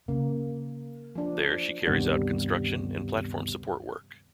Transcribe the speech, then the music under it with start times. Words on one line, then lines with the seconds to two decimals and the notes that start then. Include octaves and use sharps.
There she carries out construction and platform support work.
0.08 C#3 A#3
1.15 F3 D4
1.86 D2 G2 C3 D#3 G3 B3